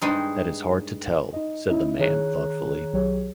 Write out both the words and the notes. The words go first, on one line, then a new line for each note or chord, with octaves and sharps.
"That is hard to tell," said the man, thoughtfully.
G2 G#3 D#4
D#4 D#5
C#4 D#4 E4 D#5 E5
D#3 G#4 C#5 A#5 F#6
B1 F#3 G4 G#4 C#5